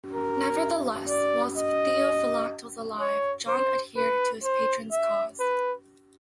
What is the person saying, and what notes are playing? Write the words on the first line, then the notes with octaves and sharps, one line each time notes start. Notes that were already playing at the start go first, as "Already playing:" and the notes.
Nevertheless, whilst Theophylact was alive, John adhered to his patron's cause.
A#4
D5
D#5
C#5
C5
B4
C5
E5
B4